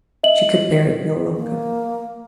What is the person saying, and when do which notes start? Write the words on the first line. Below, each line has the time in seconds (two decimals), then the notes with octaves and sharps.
She could bear it no longer.
0.23 D#5 E5 F#7
1.37 A#3